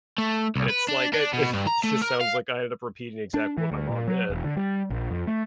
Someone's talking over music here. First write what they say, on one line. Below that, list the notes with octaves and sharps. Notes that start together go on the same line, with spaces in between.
And it's like it it just sounds like I ended up repeating exactly what my mom did.
A3
C2
B4
D4
D4
B2
G2
A#5
A3
A#4
F5
D4
E3
D2
A#2
F#3
E1
D3
G3
A#1
F2
A3